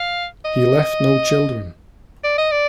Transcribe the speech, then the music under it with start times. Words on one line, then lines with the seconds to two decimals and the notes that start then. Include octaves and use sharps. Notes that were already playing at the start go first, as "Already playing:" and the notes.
He left no children.
Already playing: F5
0.45 D#5
2.24 D5
2.38 D#5
2.52 D5